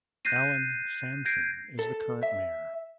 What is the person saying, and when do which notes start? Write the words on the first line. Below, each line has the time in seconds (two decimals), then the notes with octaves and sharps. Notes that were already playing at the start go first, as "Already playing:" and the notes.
Allan Sanson is the current mayor.
0.25 F#6 G6 A6 A#6 C7 D#7
1.26 G6 G#6 A#6 C7 D7
1.79 A4
2.23 E5